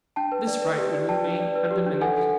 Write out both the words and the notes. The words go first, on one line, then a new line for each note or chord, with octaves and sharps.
This right would remain undiminished.
D4 G5 A5
B4
D5
B4
G4
D5
B4 G5 A5
D4
D5
B4
G4
D4
A4 F#5 G#5
A4